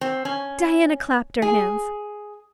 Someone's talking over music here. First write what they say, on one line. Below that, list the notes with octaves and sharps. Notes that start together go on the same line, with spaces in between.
Diana clapped her hands.
C4
C#4
G#4